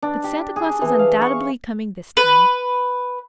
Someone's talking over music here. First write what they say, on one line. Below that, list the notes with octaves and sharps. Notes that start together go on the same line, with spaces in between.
But Santa Claus is undoubtedly coming this time.
D4
G4
G#4
E3
F5
C#6
B4